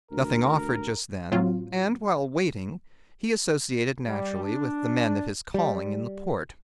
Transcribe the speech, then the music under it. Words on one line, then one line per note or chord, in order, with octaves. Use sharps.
Nothing offered just then, and, while waiting, he associated naturally with the men of his calling in the port.
D2 A#4
A2 F#3 C4 F4
G3
D4
G3